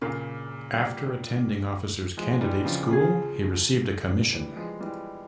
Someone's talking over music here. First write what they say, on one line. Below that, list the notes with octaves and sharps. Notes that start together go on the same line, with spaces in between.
After attending Officer's Candidate School he received a commission.
A#2 C#3 A#4 F5 A#5
G3 A#3
F3 G#3
E3 G3
C#3 F3
C#4 F4 G#4
E3 G3
F3 G#3
E3 G3